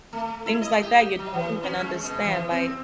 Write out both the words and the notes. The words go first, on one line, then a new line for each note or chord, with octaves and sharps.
Things like that, you don't even understand, like,
A3
E4
D#5
G4
F#3
E3
C#4
G#3
B2
E3
C4